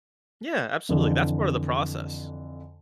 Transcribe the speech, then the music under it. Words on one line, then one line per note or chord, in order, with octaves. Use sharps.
Yeah, absolutely, that's part of the process.
F2 D3 E3